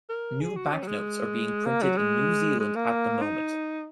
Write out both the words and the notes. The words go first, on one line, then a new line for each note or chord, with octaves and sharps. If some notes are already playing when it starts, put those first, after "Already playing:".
New banknotes are being printed in New Zealand at the moment.
A#4
G#4
F#4
C#4
F#3
G#3
A#3
F#3
G#3
G#3
A#3
D#4